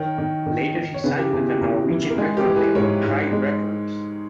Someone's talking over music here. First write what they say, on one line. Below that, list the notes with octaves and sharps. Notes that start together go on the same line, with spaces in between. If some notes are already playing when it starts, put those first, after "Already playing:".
Later she signed with the Norwegian record label Tribe Records.
Already playing: D#3 A#4 C#5
D#3
D#3
D#3
C#5
C#3 G#4 B4
G4 A#4
E2 G#4
G4
E2
E3
A#4
G#3 G#4
G4 A#4
E3
G#4 B4
G#2 A#4 C#5
G#2
G#3